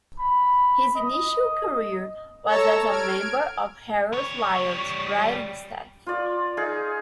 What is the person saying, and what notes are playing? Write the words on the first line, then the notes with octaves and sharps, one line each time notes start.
His initial career was as a member of Harold Lloyd's writing staff.
B5
D#5
A4 C#5 A5 A#5 E6
F6 G#6 D7
G3 C#5
F4 D5
D#4 G#4 F5